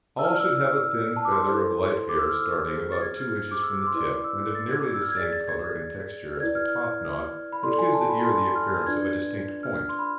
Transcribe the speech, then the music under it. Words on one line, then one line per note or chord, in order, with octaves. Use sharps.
All should have a thin feather of light hair starting about two inches from the tip, and of nearly the same colour and texture as the topknot, which gives the ear the appearance of a distinct point.
E6
E4 B4 D5 F6
F6
E6
F6
E6
A5
D6
C6
E4 A4 C5
D6
E6
F6
G#4 C5
A6
G#6
F6
D6
E6
D6
C6
E4 B4 D5 D6
E6
A6
G#6
E6
F6
G#6
G#4 D5 A6
A6
G#6
E4 B4 D5 G#6
F6
B5
E4 A4 D5 C6
G#5
A5
B5
C6
F6
D4 F4 B4 D5 G#6
F6
C6
B5